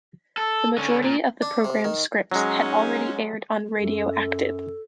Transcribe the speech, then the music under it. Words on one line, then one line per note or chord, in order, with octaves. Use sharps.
The majority of the programme's scripts had already aired on "Radio Active".
A4
D3 C#4
A#2
D4
C3
D#3
G#2 F#3 G#3 C#4
F#2 A4